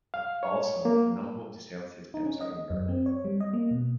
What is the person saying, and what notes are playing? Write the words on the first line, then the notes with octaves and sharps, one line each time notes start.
Also, a number of the celsius temps are inverted.
F5
C#5
A#3
D#4
C#4
D#5
F#2
C4
C#5
G3
D#5
A#3
B2